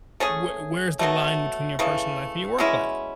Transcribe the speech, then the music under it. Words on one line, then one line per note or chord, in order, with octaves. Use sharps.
w where's the line between your personal life and your work life?
A3 C#4 G#4
B2 F#3 A3
C#3 E3 A3
B2 G#3 C#4 E4